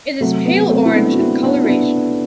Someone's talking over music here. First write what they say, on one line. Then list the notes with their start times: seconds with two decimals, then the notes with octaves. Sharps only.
It is pale orange in coloration.
0.20 C3 F#3 A3
0.45 B3
0.58 B3
0.70 A3 C4
0.85 E4
0.94 B3 D4
1.12 F#4
1.19 C4 E4
1.44 B3 D4
1.64 E4
1.68 B3 D4